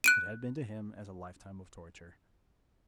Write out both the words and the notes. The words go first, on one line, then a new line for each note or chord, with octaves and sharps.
It had been to him as a lifetime of torture.
F#6 D7 D#7